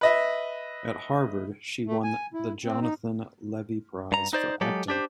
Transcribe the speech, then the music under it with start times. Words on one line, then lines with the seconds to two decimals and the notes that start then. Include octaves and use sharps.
At Harvard, she won the Jonathan Levy Prize for acting.
0.01 B4 D#5 E5
1.87 A3
2.03 G#5
2.34 E4
2.64 C4
2.81 D#4
4.12 G2 A#5
4.33 D#4 C5 D5
4.61 F#3 G#3 G4 A4
4.88 D4 G4 C5